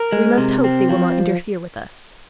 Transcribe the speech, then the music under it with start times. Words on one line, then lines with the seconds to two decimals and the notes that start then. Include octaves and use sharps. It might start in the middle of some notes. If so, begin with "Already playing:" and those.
"We must hope they will not interfere with us."
Already playing: A#4
0.12 G#3
0.38 C3
0.64 C4
0.89 F3